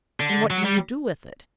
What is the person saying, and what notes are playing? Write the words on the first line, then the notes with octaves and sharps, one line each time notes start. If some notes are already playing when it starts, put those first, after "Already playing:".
"And what do you do with it?"
D3
F#3
G3